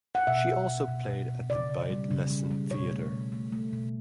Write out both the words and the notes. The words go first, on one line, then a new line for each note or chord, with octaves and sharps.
She also played at the Beit Lessin Theater.
F#5
B2 E5
B2
B2
B2
B2
B2
C#3 D5
C#3
G3
C#3
G3
G3
B2 C#5
A3
B2
A3
A3
B2